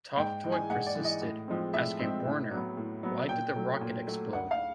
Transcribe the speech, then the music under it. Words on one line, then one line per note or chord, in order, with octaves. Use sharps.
Toftoy persisted, asking Werner, why did the rocket explode?
G#2 G5
E3 G#3
G#5
G#2 F#5
D5
E3 G#3
D#5
A2
F3 G#3 C4
A2 E5
F3 G#3 C4
A2
F#3 B3
A2
F#3 B3
A#2 G5
F#3 A3
A#2
F#3 A3
D2 F#5
F5